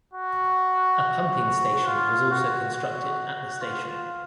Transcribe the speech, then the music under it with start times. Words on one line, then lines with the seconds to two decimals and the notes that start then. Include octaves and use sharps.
A pumping station was also constructed at the station.
0.14 F#4
1.87 F4
2.31 F#4
2.75 F#4
3.62 F4